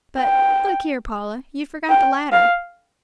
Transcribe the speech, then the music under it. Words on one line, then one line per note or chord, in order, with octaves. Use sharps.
But, look here, Paula, you forgot the ladder.
G5
G5
F5